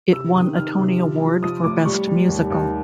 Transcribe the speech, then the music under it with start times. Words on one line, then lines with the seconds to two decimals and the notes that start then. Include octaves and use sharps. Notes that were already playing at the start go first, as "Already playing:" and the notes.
It won a Tony Award for Best Musical.
0.13 C3 E6
0.35 D#3 D#6
0.56 C3 F6
0.78 C3
0.99 F3
1.21 F3
1.42 F3 D#6
1.64 A2 D6
1.86 G3 C#6
2.07 G3
2.29 D#2
2.50 D#2